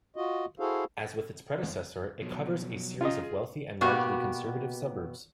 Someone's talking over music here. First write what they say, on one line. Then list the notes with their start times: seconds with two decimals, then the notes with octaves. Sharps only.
As with its predecessor, it covers a series of wealthy and largely conservative suburbs.
0.16 F4 F#4 D#5
0.60 E4 F#4 G#4 A4 C5 F5
2.22 B2 F3 F#3
3.01 C#4 F4 D#5 A#5
3.23 G#4
3.81 B2 A#3 B3 F#4 G4